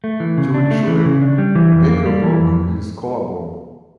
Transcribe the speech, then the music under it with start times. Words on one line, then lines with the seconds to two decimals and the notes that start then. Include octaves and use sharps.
During shooting, Baker broke his collarbone.
0.04 A3
0.20 E3
0.37 C#3
0.54 D4
0.71 A3
0.87 E3
1.05 C#3
1.22 D4
1.38 G3
1.55 E3
1.72 F2
1.89 A#3
2.06 G3
2.23 E3
2.40 F2